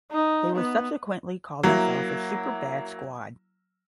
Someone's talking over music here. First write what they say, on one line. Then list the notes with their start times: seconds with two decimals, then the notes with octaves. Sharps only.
They would subsequently call themselves The Superbad Squad.
0.11 D#4
0.56 B3
1.63 F#3 A#3 E4